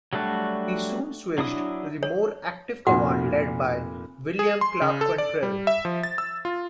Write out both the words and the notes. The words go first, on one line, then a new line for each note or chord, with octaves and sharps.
He soon switched to the more active command led by William Clarke Quantrill.
F#3 G3 A3 D4 F#4
F#3 D4 E4 D#6
C#5
F1 A#2 F#4 F#5
G#4
C6
C#3
A4
D5
G3
E5
F3
A6
E6
F4